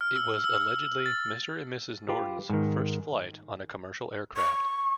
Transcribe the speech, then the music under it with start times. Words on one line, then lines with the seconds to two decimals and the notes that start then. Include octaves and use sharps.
It was allegedly Mr. and Mrs. Norton's first flight on a commercial aircraft.
0.01 F6
0.16 E6
0.44 E6
1.06 A6
2.09 F4 G4 B4
2.49 G#2 D#3
4.37 C#6